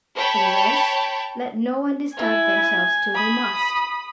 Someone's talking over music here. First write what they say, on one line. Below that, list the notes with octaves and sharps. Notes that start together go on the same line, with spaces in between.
For the rest--let no one disturb themselves till they must.
C#5 G5 A5 B5
E4 G#5
B5 D#6